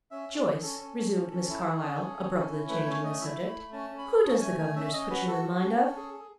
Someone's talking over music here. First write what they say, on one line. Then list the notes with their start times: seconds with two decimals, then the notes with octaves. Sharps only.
"Joyce," resumed Miss Carlyle, abruptly changing the subject, "who does the governess put you in mind of?"
0.11 C#4 E5
0.29 C#4
0.37 G#4
0.45 C#4
0.62 C#4 A4
0.80 C#4
0.97 C#4
1.14 C#4
1.32 C#4
1.49 E4
1.66 G#4
1.83 C#4
2.00 G#4
2.18 C#4
2.35 C#4
2.52 E4
2.69 A3 B4
2.86 C#4 C#5
3.04 A3 D#5
3.21 E4 E5
3.38 A3
3.47 B5
3.55 A3
3.72 C#4 A5
3.90 C#4
3.98 B5
4.07 G#4
4.24 C#4 A5
4.41 A3 G#5
4.59 A3 G#5
4.76 C#4 E5
4.93 C#4 D#5
5.10 F#4 B4
5.27 F#4 A4
5.45 F#4
5.62 C#4
5.79 C#4
5.96 G#4
6.14 G#4